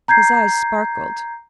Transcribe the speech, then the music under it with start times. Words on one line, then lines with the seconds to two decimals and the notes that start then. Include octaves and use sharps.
His eyes sparkled.
0.08 A#5 G6 G#6 C7